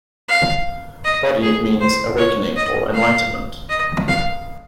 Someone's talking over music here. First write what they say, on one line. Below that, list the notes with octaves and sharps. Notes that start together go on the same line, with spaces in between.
"Bodhi" means "awakening" or "enlightenment".
F5
D#5
G#4
C5
C#5
D#5
F5
D#5
F5